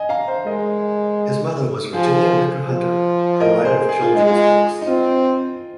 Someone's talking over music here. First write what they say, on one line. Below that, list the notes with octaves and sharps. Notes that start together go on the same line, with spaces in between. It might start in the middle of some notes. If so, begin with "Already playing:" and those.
His mother was Virginia Ricker Hunter, a writer of children's books.
Already playing: D#5 G#5
F5 A#5
C5 F5
G#3 A#4 D#5
F3 G#4 C5
F3
A#4 D#5
G#4 C5
G#4
F4
G#3 D#4
F4
D#4
C4 F4